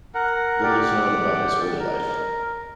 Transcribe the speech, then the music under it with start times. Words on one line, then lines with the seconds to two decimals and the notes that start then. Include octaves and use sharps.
Little is known about his early life.
0.14 A#4 F#5
0.63 G4 D5 F#5
1.80 A#4